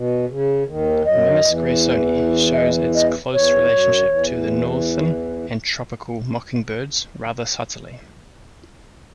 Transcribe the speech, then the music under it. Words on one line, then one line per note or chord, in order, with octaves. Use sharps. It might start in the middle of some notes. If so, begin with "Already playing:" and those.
"Mimus graysoni" shows its close relationship to the northern and tropical mockingbirds rather subtly.
Already playing: B2
C#3
D#2 D#3
F#2 F#3 D#5
E2 E3
E5
D#5
D#5
E2 E3 C#5
F#2 F#3
E2 E3